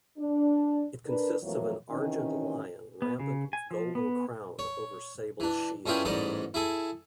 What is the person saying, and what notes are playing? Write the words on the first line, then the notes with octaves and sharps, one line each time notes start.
It consists of an argent lion rampant with golden crown over sable shield.
D4
D4 A#4 B4
F2 E3 F#3 A3 A#3
C3 D#3 E3 C#4
B3
C#3
G#5
F3
B3
C#5
E3 D4
G2 C#4 E4 F4 G#4 G5
A1 G#2 G3 D5 D#5
E4 G#4 A4